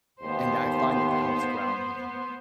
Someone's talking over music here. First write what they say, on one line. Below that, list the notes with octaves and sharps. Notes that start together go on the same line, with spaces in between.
And I find that that helps ground me.
D#2 B3 C5